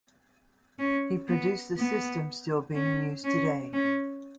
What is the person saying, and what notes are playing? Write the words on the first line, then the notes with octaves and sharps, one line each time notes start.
He produced the system still being used today.
C#4
B3
B3
C#4
C#4
C#4